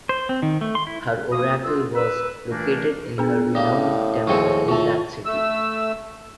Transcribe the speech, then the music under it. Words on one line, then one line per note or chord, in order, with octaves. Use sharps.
Her oracle was located in her renowned temple in that city.
C5
C4
D#3
A3
C6
E4
F3 A#3 D#6
D3 F4 E6
B4 E6
G2 A#2 E3 A3 A#3 D4
B3 D4 G#4
A2 G3 A#3 D5 D#6
D#2 F3 C4 F#4 G#4 C#5 C#6
D#3 A3 F4 A5
A3 E6